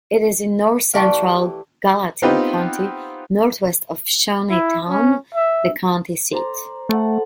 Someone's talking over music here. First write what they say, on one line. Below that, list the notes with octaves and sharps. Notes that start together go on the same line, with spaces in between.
It is in north-central Gallatin County, northwest of Shawneetown, the county seat.
E3 A3 G4 D5 F5
B3 C4 D#4 F4 G4 B4
E4
C#4
E5
C5 D5 A#5
A3 A4 F#5